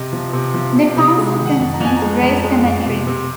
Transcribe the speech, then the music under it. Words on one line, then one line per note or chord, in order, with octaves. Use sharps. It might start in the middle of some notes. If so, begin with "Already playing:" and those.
The township contains Grace Cemetery.
Already playing: C3 D#5
F3
C3
F3
C3
C3
G#3
D#3
F#5
F2
A#5
F2 G#5
A#5
G#3
F2
G#3
F2
C3
C3